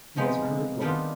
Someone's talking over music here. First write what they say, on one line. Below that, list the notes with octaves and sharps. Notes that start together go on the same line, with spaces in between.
He has a heart of gold.
C3 F3 G#3 B3 D#4
D#3 G3 B3 D4 F4